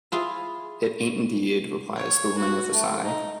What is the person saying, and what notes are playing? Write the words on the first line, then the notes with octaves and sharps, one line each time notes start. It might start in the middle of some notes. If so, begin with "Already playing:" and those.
"It ain't indeed," replies the woman with a sigh.
E4 F4 G#4
C#5
F#4
A3
D#4